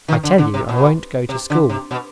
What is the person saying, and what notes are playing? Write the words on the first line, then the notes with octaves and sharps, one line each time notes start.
"I tell you I won't go to school."
D#3
D3
D3
C3
B2
C3
D3
C3
B2